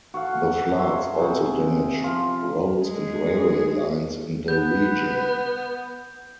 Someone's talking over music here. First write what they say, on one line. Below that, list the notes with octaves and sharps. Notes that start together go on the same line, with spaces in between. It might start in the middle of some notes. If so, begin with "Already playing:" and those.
The floods also damaged roads and railway lines in the region.
F#4 A4 F5 F#5
A4
F#2 C#5 E5 C6
C3 G#4
F3 F4 A5
G#3 G#4
B3 B4 G6